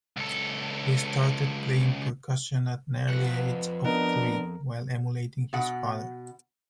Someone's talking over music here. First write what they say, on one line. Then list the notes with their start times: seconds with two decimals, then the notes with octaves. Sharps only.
He started playing percussion at an early age of three while emulating his father.
0.17 C#2 A4
3.09 F2 B4 F#5
3.85 B3 D4 A#4 D#5
5.53 B2 F#5